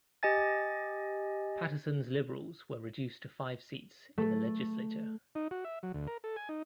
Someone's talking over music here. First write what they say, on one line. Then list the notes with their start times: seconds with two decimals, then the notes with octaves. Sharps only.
Patterson's Liberals were reduced to five seats in the Legislature.
0.23 G4 D#5 G#5 A6
4.18 A3
5.35 D#4
5.51 F#4
5.65 E5
5.83 F#3
5.94 D2
6.07 A#4
6.24 A4
6.36 G#5
6.49 D#4